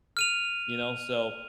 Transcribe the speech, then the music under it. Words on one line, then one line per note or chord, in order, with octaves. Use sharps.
you know. So,
F6 D#7 F7